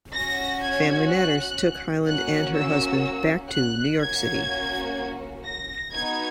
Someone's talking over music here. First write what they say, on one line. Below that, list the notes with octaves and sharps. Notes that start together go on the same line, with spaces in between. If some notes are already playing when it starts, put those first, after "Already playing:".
Family matters took Hyland and her husband back to New York City.
C#4 F#4 A#6
G#6
F#6
A#3 C#4 F#4 F#6
E6
F#6
A#3 C#4 F#4 G#6
A#6
B3 D#4 F#4 G#6